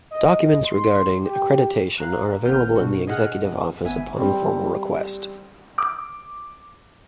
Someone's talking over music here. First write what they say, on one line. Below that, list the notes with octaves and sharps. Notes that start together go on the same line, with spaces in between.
Documents regarding accreditation are available in the Executive Office upon formal request.
D#5
C6
G4
F5 A#5 F#6
G#1 B3 B4 F6 G6
B2 D4 F#4
G#4 D#5 F#5 F6 F#6
F2
G#1 B3 E5 G#5
G3 C4
D6